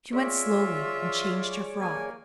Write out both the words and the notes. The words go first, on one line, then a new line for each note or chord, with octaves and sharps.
She went slowly and changed her frock.
F4 G#4 C#5 D5 E5
A#3 G#5